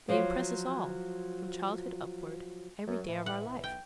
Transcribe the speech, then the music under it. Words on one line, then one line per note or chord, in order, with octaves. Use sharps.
'They impress us all, from childhood upward--every day of our life.'
F3 F#3
F#2 F#3
A2 E3
F#5
B1
G5